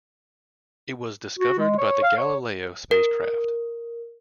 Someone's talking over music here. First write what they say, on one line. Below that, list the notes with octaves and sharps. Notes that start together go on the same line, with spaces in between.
It was discovered by the "Galileo" spacecraft.
F#4
G#3
C#5
F5
C#5
A#4